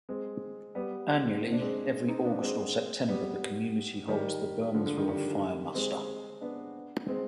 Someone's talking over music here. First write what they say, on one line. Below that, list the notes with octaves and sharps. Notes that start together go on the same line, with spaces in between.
Annually every August or September, the community holds the Burnsville Fire Muster.
G#3 C4
G3 B3
C4
D4
G#3 C4
C4 D#4
B3 D4
G#3 C4
G3 B3
D#3 G3
D3 F3
D3
D#3
D#3 G3
G#3 C4
B3 D4
G#3 C4